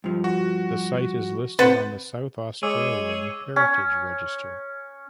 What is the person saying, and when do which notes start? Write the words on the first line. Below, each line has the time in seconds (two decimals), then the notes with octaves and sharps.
The site is listed on the South Australian Heritage Register.
0.04 G2 F3
0.24 F#4
1.59 C3 B4 C5 F#5 A6
2.63 G#3 G#4 C#5 D6 E6
3.56 C#4